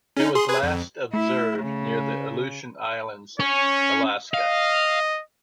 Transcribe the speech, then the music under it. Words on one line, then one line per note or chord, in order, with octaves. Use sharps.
It was last observed near the Aleutian Islands of Alaska.
C#4 D#4
G#4 C6
G#4 B4 G#6
F2
A3 E4
C#3
C#4 C#5
D#5 F5